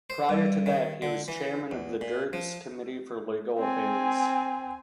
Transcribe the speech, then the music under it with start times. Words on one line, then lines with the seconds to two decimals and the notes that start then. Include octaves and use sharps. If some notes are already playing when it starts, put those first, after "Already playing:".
Prior to that, he was chairman of the Derg's committee for legal affairs.
0.10 C5
0.29 G2
0.66 D#3
1.02 D3
1.28 E3
1.71 E2
2.01 A#2
2.33 F3
3.58 C4 G#5